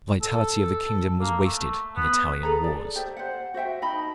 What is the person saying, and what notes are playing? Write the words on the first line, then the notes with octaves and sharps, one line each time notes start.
The vitality of the kingdom was wasted in Italian wars.
A4
A#3
A3
B3
G#4 A4 B4 A#5
D5
G4 C5 E5
C5 F#5
F#4 C5 E5 G5
D#4 D#5 A5 B5